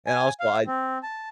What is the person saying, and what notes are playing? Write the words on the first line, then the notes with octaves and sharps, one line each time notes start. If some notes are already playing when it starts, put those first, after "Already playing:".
And also I
G#5
F5
C4
A5